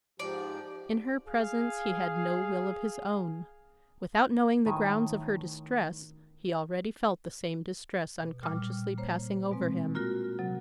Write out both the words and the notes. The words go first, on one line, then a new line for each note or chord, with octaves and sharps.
In her presence he had no will of his own: without knowing the grounds of her distress, he already felt the same distress unconsciously passing over him.
G#2 F3 G4 D5
G#4 F5
A2 D#3 G#5
B2
A#2 G3 G5 D6 F6
A#3 C5 C#5
B2 G#3 C4
A#3 F4 F#4 A#4
C3 F#3